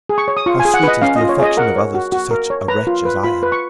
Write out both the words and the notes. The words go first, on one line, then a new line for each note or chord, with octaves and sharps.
How sweet is the affection of others to such a wretch as I am!
G#4
C#6
C#5
D#6
F4 C#6
G#5
G#4
F#5
B4 D#5
C#4 F5
D#5
F4
C#5
G#4 D#5
A#4 F#5
C#5
F#4
F#4
A#4
C#5
B4 A#5
F4
B4
F4 B5
B4
C#6